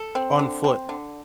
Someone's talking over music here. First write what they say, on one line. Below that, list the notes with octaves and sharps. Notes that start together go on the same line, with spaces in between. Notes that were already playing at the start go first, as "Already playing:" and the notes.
On foot,
Already playing: A4
C4
D3
C4
D3